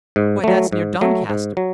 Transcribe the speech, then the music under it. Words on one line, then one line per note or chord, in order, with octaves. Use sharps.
"Why, that's near Doncaster."
G#2
F#3 A3
G#2
F#3 A3
G#2
F#3